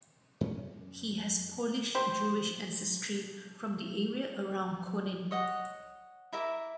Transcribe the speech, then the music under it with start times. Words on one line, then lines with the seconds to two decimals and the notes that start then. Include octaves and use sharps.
He has Polish Jewish ancestry, from the area around Konin.
0.41 F#2 C#4
1.95 G4 C5
5.31 C#5 D#5 F#5
6.33 E4 A#4 E5 D6